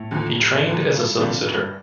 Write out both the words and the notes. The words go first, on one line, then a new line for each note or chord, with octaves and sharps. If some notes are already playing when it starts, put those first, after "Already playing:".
He trained as a solicitor.
Already playing: A2
D#2 D3 F3
F1
D#2 D3 F3
D2 G2
F2 D3 G3 D4
D2 G2